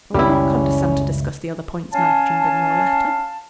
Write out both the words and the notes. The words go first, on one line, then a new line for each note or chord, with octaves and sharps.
I will not condescend to discuss the other points mentioned in your letter.
C#2 F#2 D#3 G3 C#4 E4
C#4 C#5 F5 G#5 A5